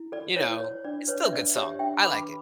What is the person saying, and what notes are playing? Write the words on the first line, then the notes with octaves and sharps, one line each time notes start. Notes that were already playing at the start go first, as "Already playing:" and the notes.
you know, it's still a good song. I like it.
Already playing: E4
A4 D5
E4 C#5
C#5
D4 D5
B4 C#5
E5
D4 D5
G4 C#5 E5
D4 E5 G5
B4 B5 D6